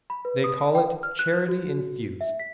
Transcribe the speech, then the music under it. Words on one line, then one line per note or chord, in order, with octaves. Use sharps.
They call it "charity infused."
B5
B4
D#6
G5
F6
F#6
F#4
E5
B6